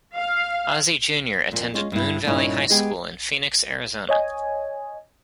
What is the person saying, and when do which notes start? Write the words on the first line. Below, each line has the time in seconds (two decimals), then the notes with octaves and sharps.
Ozzie Junior attended Moon Valley High School in Phoenix, Arizona.
0.15 F5
1.52 F2 A#2
1.74 G#3 C#4 F4
1.92 G2 E4
2.25 G2 A#2 C#4 D#4 E4
2.70 G#3 B3 G4 G#4
4.09 C#5 D#5 G#5